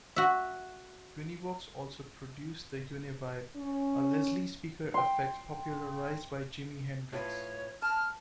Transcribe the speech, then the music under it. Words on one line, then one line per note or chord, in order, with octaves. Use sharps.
Univox also produced the Uni-Vibe, a Leslie speaker effect popularized by Jimi Hendrix.
F#4 E5
C#4
G5 C6
A2 F4 B4 C#5
A5 F6